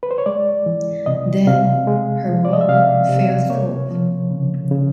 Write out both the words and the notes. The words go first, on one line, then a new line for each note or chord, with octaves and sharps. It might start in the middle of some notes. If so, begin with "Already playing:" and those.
Then, her role fell through.
B4
C5
C#5
G#3 D5
E3
C3 D#5
C3 F5
G#3
F3
D5
D#5
E5
C3 F5
C3
A#3 C#5
F3
C#3
C#3